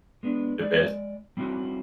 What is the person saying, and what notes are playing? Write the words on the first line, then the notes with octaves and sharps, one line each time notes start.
the best.
G#3 B3 D4
G#3 D5
G3 C4 C#4 E4 F#4